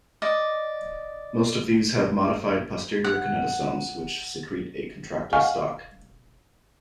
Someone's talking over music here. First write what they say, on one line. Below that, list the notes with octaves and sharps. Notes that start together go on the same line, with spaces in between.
Most of these have modified posterior kinetosomes which secrete a contractile stalk.
D5 D#5
F#5
D#5 F5 F#5 G#5 C#6 F6